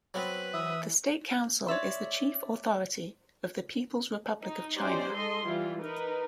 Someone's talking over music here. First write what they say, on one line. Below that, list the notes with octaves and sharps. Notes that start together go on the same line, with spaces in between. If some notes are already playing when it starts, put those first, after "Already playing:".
The State Council is the chief authority of the People's Republic of China.
F#3 B3 C4 B4
E3 E5 D#6
C#5 D5 E5 C6
D#4
C#4 D#4 G4 C5 D5
G#3 A4 D#5 C6
E3 G3 E4 F4
D#4 A#4 B4